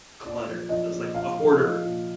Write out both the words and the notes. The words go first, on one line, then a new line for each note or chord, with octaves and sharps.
clutter. It was, like, a hoarder
A#2 D5
F3
F3 D#5
A#2
A#2 F5
F3
F3
A#2